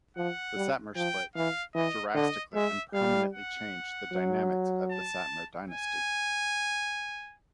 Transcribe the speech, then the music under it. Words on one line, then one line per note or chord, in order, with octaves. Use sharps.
The Satmar split, drastically and permanently changed the dynamics of the Satmar dynasty.
F3 F#5
G3
F3 G5
E3 F5
E3 D#5
D3 D#5
G#3 E5
G3 F5
F#5
F#3
A5
G#5